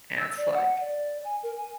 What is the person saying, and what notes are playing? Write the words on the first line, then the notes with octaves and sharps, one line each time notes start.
and it's like
E6
D5
F#5
D5
G#5
A#4
G#5